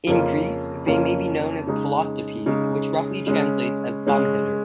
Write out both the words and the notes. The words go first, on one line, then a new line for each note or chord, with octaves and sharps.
In Greece they may be known as Kolochtypes which roughly translates as 'bum hitter'.
F2 C#3 A#3 C#4 F4
F2 C#3 A#3 C#4 F4
C#3 G#3 D#4
C#3 G#3 D#4
C#3 G#3 C#4
C#3 G#3 C#4